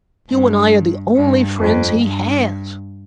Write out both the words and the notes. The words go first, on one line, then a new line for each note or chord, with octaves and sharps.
You and I are the only friends he has.
G2
G2
F2
G2